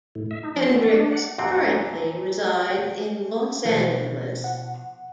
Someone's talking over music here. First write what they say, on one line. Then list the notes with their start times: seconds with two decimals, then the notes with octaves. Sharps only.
Hendrix currently resides in Los Angeles.
0.15 A2
0.31 E5
0.43 D#4
0.56 F3
0.76 A3
0.89 D4
1.11 F#5
1.38 F2 A#2 C4 G4 E5 F#5
2.70 G5
3.65 B2 E3 F3 E4 C5 A5
4.44 F#5